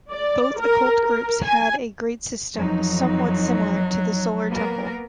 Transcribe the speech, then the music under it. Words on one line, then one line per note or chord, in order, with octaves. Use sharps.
Both occult groups had a grade system somewhat similar to the Solar Temple.
D5
A#4
A#4
G#5
F2 E3 F#3 D#4
A#3 B3 A#4